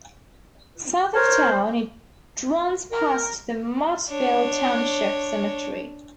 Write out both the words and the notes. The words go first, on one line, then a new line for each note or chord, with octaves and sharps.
South of town, it runs past the Mottville Township Cemetery.
A#4 C5 C#5
A#4
D4 C#5